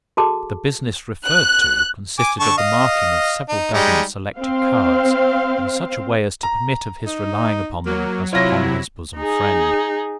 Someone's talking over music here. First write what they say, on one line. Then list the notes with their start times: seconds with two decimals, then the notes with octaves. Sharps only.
The business referred to consisted of the marking of several dozen selected cards in such a way as to permit of his relying upon them as upon his bosom friend.
0.17 F#4 G#4 A4 A5 D6
1.26 F#6
2.19 G#5 D6
2.40 D3 A5 C#6
2.58 D#5 F5
3.49 D#4
3.74 G3 G#3 D#4
4.38 C4 C5 F5
6.43 A#5
7.06 D#4
7.86 F#3 A#3
8.33 C3 F#3 E4 F4 C#5 A#6
9.17 D#4 G#4